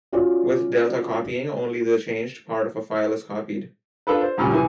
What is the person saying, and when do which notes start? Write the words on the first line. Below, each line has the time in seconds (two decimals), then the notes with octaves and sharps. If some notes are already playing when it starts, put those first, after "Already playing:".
With delta copying, only the changed part of a file is copied.
0.12 C#4 F4 F#4 D5
4.07 D4 F4 A4 B4
4.21 C5
4.38 C#2 F#2 A#2 G3 C#4
4.52 C2 E3 G#5